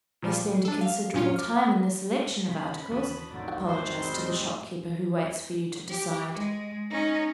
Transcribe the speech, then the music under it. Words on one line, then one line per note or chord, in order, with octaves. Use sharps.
If you spend a considerable time in the selection of articles, apologize to the shopkeeper who waits for you to decide.
A#2 F3 G3
D4 A4
F5
G2 A#2 C#4 F4 C#7
D6 F6
C#3 B5 C6
D#2 C#3 E3 F#4 A5 D#6
B1 F2 A2 D3 D#3 F#3 D5
F#2 A3 F#4 C5 A5
G3 G#3 C4
G4
G#3
C#4 D#4